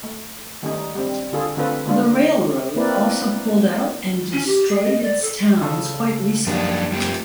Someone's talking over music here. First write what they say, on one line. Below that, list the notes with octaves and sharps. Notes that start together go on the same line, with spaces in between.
The railroad also pulled out and destroyed its towns quite recently.
A3
D#3 G3 A3 B3 C#4 D#4
G3 C4
D3 F4 G#4 A4
D3 A3 C4 F4 A4 B4
D3 A3 A#3 D4 F4
A#3 C4 E4 A#4 B4 D5
C#4
G4
G#4
D#5
D5
A4
C#3 A4
F#2 F3 G3 A#3 D4 D#4
A3 F4 G4